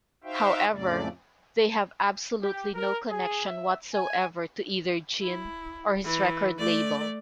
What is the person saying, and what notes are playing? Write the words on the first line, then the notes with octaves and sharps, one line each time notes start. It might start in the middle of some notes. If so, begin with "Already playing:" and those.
However, they have absolutely no connection whatsoever to either Ginn or his record label.
D#4 F#4 C5 E5 F5 G5
F2 A2 C#3 A3 D5
G4
A#4
G#4
E5
G#5
E4
E3
A3 D5